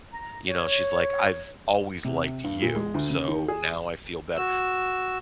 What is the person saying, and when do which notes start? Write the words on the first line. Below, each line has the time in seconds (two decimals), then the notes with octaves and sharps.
you know," she's like, "I've always liked you, so now I feel better,"
0.14 A#5
0.48 C#5
2.05 C3
2.44 G2
2.62 A#2
2.76 G#3
2.94 D2
3.10 C#3
3.28 D#3
3.48 G#4
4.37 F#4 E6